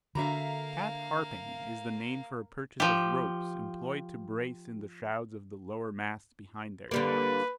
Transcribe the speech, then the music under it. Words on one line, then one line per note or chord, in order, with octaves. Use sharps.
Cat-harping is the name for a purchase of ropes employed to brace in the shrouds of the lower masts behind their yards.
D3 A#3 D4 F#4 E5 F5 A#5 B5
F3 G4
D3 G3 A#3 B4